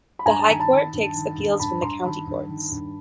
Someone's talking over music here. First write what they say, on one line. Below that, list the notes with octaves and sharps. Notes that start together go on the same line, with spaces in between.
The High Court takes appeals from the County Courts.
B5
G2 G#5 A#5
A5
D#3 A#5
A5 B5
D#3
G2
D#3
G2
G2 A5 B5
G2 A#5 C6
D#3 A5 B5
G2
D#3
G2